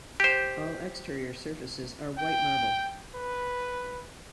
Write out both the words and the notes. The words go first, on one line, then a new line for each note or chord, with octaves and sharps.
All exterior surfaces are white marble.
G4 C5
G5
B4